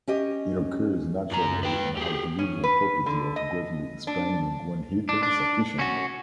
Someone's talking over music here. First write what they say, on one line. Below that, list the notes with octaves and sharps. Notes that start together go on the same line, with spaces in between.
It occurs naturally and has the unusual property of greatly expanding when heated sufficiently.
C#4 G4 D#5
F#2 A#5
B4 G5
G4 G#4
C#4
B4
D3
D#5
D4
D4
D4
C#4 F#4